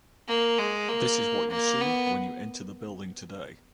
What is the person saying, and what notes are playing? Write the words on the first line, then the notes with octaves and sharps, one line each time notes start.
This is what you see when you enter the building today.
A#3
G#3
A#3
A#3
B3